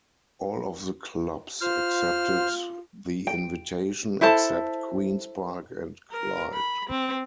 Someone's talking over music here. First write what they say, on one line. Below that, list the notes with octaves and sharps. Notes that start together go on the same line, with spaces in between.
All of the clubs accepted the invitation, except Queen's Park and Clyde.
F4 C5 F6
G5
E4 A4 C5 A5
A#4
B5
C4